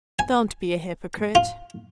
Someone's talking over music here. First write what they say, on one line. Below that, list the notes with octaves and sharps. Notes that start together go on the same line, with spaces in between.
'Don't be a hypocrite.
G#5
F4